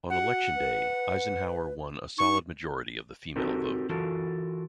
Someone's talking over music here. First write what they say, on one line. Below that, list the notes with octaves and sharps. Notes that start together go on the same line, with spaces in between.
On election day, Eisenhower won a solid majority of the female vote.
F#4 F#5
B4
D#4 C#6
C4 D#4 F#4 G4 A4 A#4
E3 F4 F#4 A4 A#4